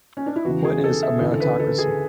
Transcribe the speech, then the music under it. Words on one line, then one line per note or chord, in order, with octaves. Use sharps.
What is a meritocracy?
C#4
D4
E4
E2 C#3 E3 F#4
G#4
A4
E5
D2 C#3 E3
A4
B4
A4
G#4